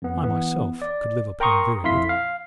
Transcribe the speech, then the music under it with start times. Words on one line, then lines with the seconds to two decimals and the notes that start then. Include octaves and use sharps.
I myself could live upon very little.
0.02 F2 B3
0.24 E3 B3
0.82 D5
1.40 A#4 G5 A#5 C6 C#6 D#6
1.83 A#1 F2 E4 F5 C6 B6
2.09 F5